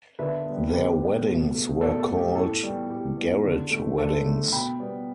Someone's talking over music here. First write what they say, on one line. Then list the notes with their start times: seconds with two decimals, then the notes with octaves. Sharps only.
Their weddings were called "garret-weddings".
0.19 D3 B4 E5
0.46 G3 B3
0.73 D3 G4 B4
1.00 G3 B3
1.27 B2
1.55 A3
1.81 B2 A4 D5
2.00 A4
2.09 A3
2.17 G4
2.35 A2 A4
2.63 E3 G3 B3
2.90 A2 G4
3.17 E3 G3 B3
3.44 D3
3.71 A3
3.98 D3 A4
4.25 A3
4.52 B2 G5 B5
4.80 G3 B3